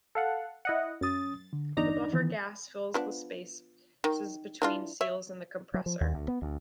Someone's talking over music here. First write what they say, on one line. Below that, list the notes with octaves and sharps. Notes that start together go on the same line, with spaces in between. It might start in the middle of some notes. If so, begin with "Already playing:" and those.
The buffer gas fills the spaces between seals in the compressor.
A4 F5 F#5
E4 D#5 F#5
F#2 C#4 D#6 A6
D3
G1 E2 D4 D#4 D5 A#5
D#3 E3 B3
F3 B3 D4
D#3
E3 D4 F4
C#5 E5
F#3
F3
D#2
D2
B3
D2